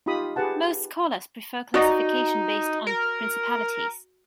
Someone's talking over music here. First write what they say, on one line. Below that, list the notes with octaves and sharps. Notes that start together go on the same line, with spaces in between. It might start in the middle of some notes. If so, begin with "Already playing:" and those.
Most scholars prefer classification based on principalities.
D#4 F4 G4 B5 D#6
G4 G#4 B4 F#5 A5
D#4 F#4 D5 D#5
A#4